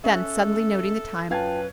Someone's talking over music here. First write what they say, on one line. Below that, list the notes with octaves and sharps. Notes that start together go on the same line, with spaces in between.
Then, suddenly noting the time.
C#4 A4 E5 F#6
F#2 F4 B4 F5 G5 A5 G#6